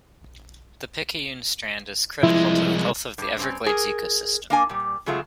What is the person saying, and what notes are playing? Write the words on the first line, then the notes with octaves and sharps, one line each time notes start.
The Picayune Strand is critical to the health of the Everglades ecosystem.
C2 F3 G#3 E4
G2
G2 C4 C#4
G#4 A#4
A#3 D4 G#5
A#2 G3
C#3 F#3 G#3 A3 F4